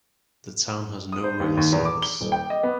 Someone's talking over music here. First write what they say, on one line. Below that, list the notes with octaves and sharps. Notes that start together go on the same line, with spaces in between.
The town has no rail service.
D#6
C5
D#2
D#2
E2
D6
G7
D#1
G5
D#5
B3